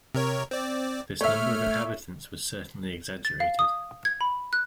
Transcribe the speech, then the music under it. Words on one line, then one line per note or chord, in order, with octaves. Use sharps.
This number of inhabitants was certainly exaggerated.
C3 A#4 C#5
C4 D5
A3 C#5 E5 F6
A6
F5
D#6
G#6
B5
F#6